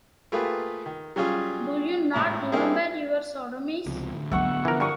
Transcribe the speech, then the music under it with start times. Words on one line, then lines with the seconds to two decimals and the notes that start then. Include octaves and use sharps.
Do you not remember your sodomies?
0.32 A3 A#3 F4 G4 G#4 B4
0.86 D#3
1.16 F#3 G3 C#4 F4 G#4
2.13 G#1 A2 E4 A#5
2.52 G3 A#3 C4 D#4 E4 G#4
3.86 C#2 C3 F3
4.14 D1 D2
4.32 F#3 B3 E5 F#5 C#6
4.65 D3 E3 F3 A#4
4.80 G2 A#4 C#6 D#6